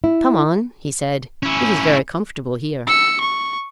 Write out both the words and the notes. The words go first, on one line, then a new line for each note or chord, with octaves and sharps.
"Come on," he said, "it is very comfortable here."
E4
C#4 E4
E6 C#7
C#6